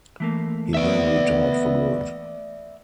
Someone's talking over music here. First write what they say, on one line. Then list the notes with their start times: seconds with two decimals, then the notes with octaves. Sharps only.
He then retired for good.
0.20 E3 A3 A#3
0.74 B3 D5 E5